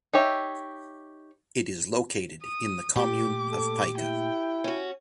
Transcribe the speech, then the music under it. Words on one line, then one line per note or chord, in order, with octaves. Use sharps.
It is located in the Commune of Pica.
D#4 G4 C#5 E5
D#6
A#2 A3 G4 D6
A4
E4 G5
C#4 F#4